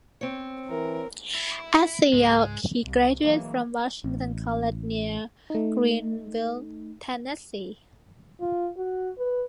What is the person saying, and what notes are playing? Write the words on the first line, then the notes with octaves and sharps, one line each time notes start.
As a youth he graduated from Washington College near Greeneville, Tennessee.
C4 C#5
E3 A#4
E4
C#2 G#2 G#3
C2
E3 F#3 G#3 A#3
A1
A3 D#4
F4
F#4
B4